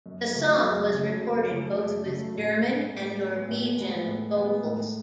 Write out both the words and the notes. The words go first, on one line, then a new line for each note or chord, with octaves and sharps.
The song was recorded both with German and Norwegian vocals.
F#2
C#3 F#3 A3
F#2
C#3 F#3 A3
F#2
C#3 F#3 A3
F#2
C#3 F#3 A3
A2
G#3 B3
A2
G#3 B3
A2
G#3 B3
A2
G#3 B3
A2